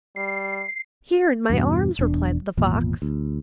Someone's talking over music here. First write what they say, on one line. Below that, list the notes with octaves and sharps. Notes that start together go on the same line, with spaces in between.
'Here, in my arms,' replied the fox.
G3 C7
E2 G2 B2
E1 E2 D4
G#1 E2 A#2
D2